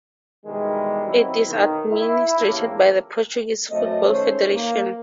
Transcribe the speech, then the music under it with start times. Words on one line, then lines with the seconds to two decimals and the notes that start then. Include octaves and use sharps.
It is administrated by the Portuguese Football Federation.
0.46 B2 D#3 E3 G3 G#3
1.06 D#3 F#3 B3 C4 E4
1.48 B1 D#3
1.92 E4
2.40 A#1 E2 C#3 A#3 G4 A4
3.70 F#2 A3 C4 D#5
4.03 D#3 A3 C#4 C5 C#5
4.51 A#3